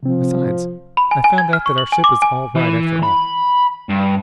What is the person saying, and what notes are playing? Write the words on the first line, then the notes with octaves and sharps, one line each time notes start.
Besides I've found out that our ship is all right, after all.
C3 F3 C4
B5
G#5
G#5
G#6
F6
C#6
F#7
G#5
D6
G#5
E3
B5
G2